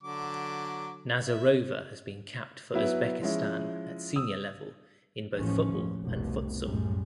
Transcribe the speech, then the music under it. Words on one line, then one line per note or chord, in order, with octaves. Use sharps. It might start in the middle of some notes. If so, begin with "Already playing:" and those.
Nazarova has been capped for Uzbekistan at senior level in both football and futsal.
D3 F#3 D6
E5
F#3 B3 E4 B4
F3 G#3 C#4 E4
D#6 E6
A1 D#2 A2 E3 F3 C#4
G2
F1 C2 B2
F#2 A2 G3 G#3